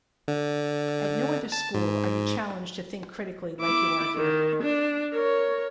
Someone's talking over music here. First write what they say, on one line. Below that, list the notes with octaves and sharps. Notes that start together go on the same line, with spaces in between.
At no other school are you challenged to think critically like you are here.
D3
A5
G#2
E4 D6
D#3
D4
A#4 C#5